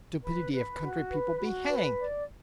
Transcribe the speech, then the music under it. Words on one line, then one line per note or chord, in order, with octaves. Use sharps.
Stupidity of country people be hanged!
B4
B4
F#4
B4
F#4
B4
D5